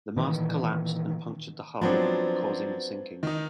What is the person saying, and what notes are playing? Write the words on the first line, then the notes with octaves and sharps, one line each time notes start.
The mast collapsed and punctured the hull, causing the sinking.
A#2 D#3 E3
F3 F#3 B3 C4 D4 F#4
D#3 D#4